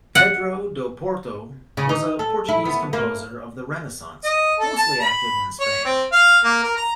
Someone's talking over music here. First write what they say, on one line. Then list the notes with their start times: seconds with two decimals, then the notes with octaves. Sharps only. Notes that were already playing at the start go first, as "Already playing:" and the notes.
"Pedro do Porto", was a Portuguese composer of the Renaissance, mostly active in Spain.
0.15 F#5
1.77 C#3
1.89 D#4
2.19 A4
2.48 E4
2.65 B3
2.93 A#3
4.24 D#5
4.59 A4
4.77 A5
5.00 B5
5.60 C#5
5.85 C4
6.12 F5
6.44 A#3
6.63 A#4
6.77 A#5